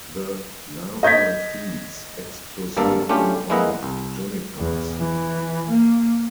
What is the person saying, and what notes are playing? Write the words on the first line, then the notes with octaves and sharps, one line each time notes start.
The larva feeds exclusively on junipers.
D#5 G6 G#6 B6
G#1 G2 A#3 A4
A3 C#4 D4 F4 G4
G#3 A#3 E4 B4 D#5 F#5
C2
E2
E3
A#3